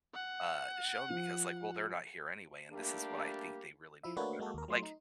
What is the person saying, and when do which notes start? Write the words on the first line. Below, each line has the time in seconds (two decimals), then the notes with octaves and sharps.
uh, shown because, like, well, they're not here anyway, and this is what I think they really need or whatever. But, like
0.14 F#5
1.10 F3
2.70 G3 A3 A#3 D4 G4
4.03 F3 E4 E5
4.17 A3 A#3 D4 F#4 B4 C#5
4.39 G#3 A#3 F#4 A4
4.54 D#2 A#4
4.68 F#3 A3 C6
4.83 D#4